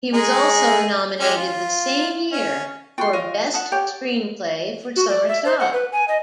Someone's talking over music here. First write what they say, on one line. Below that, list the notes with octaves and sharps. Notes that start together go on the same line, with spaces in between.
He was also nominated the same year for Best Screenplay for Summer Stock.
G#3 D#4 G#4
G#3 C#4 G4
F4
C#4
F4 F#4 G5 C6
D#5 F5 C#6
F#5 A5 D#6
G4 C#5 G5
F#4
D5
E5
C5
F#5
B4
G#5
D#5